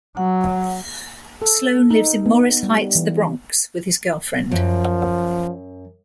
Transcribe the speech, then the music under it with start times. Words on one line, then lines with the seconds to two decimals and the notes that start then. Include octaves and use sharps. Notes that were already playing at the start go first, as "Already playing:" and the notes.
Sloan lives in Morris Heights, the Bronx with his girlfriend.
0.17 F#3 F#5
1.42 A4
1.90 D#4
2.26 B3
2.63 G3
2.95 E3
4.51 F#2 F3